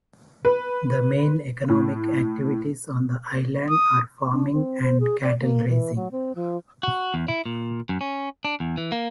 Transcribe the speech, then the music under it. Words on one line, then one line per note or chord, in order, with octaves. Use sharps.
The main economic activities on the island are farming and cattle raising.
B4
A2
D#6
D4
C4
C5
G#4
D5
A#3
E3
F#3
C4
F3
F#4
E2
E4
A#2
F#2
C#4
D4
E2
E3
A#3